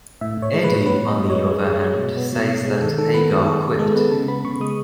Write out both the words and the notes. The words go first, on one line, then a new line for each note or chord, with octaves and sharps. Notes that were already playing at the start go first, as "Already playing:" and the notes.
Eddie, on the other hand, says that Hagar quit.
A2 E5
A2
C#5
G#3
B4
A2
B3 B4
A2
D#5
A2
C#5
G#3
G#3
G#3
G#3
B2
B3
B2
B2
G#3
D#3 A4
D#3 A4
B3 B4
G#3 B4
G#4
D#3 A4
B3 A4
G#3 A4
B3 B4
C#3 A5
B3 B5
C#3 C#6
G#3 D#6